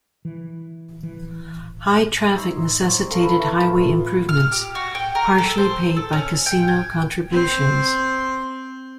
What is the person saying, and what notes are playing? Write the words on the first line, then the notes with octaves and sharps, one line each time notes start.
High traffic necessitated highway improvements, partially paid by casino contributions.
E3
E3
D#4 C#5 C6 E6
C4 C#5 G5
A4 A#4 F5 C#6
A4 B4 B5
E4 A4
B3 F4
F6
G4
F#4
G5
A#4
A4
C5
A4
C#4
G5
G#5
C4 C5